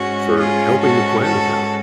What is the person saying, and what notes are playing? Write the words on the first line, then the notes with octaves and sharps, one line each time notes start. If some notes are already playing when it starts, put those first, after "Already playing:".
for helping the planet out.
Already playing: G#2 G#3 C#4 F#4
F4 G#4
F#4 A4
F#4 A4